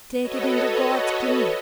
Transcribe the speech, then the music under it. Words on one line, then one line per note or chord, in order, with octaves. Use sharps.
Take it into God's kingdom!
F#4 A4 B4 C#5 D#5